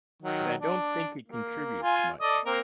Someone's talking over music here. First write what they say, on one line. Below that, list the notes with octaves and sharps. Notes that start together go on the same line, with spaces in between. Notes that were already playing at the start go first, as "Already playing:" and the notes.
But I don't think it contributes much.
D#3 F#3
D4
A#3
F4 G#5
A4 D5 D#5
A#3 C4 A#4